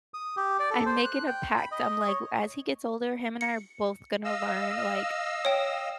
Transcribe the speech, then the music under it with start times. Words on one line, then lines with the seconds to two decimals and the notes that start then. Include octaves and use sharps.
I'm making a pact, I'm like, "As he gets older, him and I are both gonna learn, like,
0.14 D#6
0.36 G4
0.60 D5
0.71 A4
0.86 C5
1.05 F#6
1.27 G5
1.57 B5
1.72 D#5
2.08 C#5
3.41 C#7
4.24 D#5 F5 E6
5.45 C#5 G5